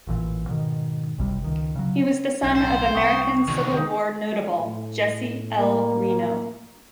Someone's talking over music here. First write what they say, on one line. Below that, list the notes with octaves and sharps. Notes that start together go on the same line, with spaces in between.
He was the son of American Civil War notable Jesse L. Reno.
A1 A#2 E3
G#2 B2 D#3
F#1 C2 C3 G3
C#2 D#3
C#3 F#3
B1 A2 A4 F5 G5
C5
C2 B3 C#6
D2 G#2 C3 D#3 E3
D#3 A3 B3 D#4 G4
A2
A#3